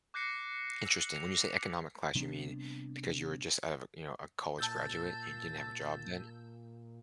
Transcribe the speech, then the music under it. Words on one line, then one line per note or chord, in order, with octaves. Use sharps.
Interesting. When you say economic class, you mean because you were just out of a, you know, a college graduate and didn't have a job then?
D6 F#6 G6 A#6 C7 C#7
E6 C7
F7
C3 G3 B3 D4
A#2 A5 E6 G6 A6